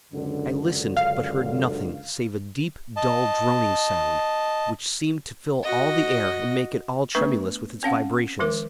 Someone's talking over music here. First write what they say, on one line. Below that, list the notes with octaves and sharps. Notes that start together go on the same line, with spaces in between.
I listened, but heard nothing save a deep, dull, droning sound, which seemed to fill all the air and make it all tremulous with its vibrations.
C#2 F#2 D3
F5
D#5 A5
F#4 D#5
A3 B3 D4 B4 C#6
C4 C#4 F5 F#5
D#3 F3 G#3 A#4 D6